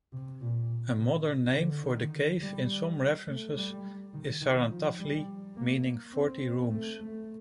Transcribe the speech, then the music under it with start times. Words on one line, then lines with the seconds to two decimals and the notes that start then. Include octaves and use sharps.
A modern name for the cave in some references is "Sarantavli", meaning "forty rooms".
0.12 C3
0.41 A#2
0.98 C3
1.56 D3
1.84 D#3
2.41 G3
3.28 A3
3.57 G3
4.14 D#3
4.41 D#3
4.70 F3
4.99 G3
5.56 A#3
6.13 C4
6.70 A3
7.00 A3